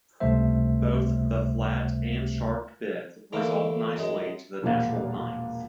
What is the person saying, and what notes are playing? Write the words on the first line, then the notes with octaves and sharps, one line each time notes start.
Both the flat and sharp fifth resolve nicely to the natural ninth.
C#2 C3 G3 A3 C5 E5
D3 E3 A3 A#3
F#2 G#3
E1 A#2 F3 A#3 F5 F#5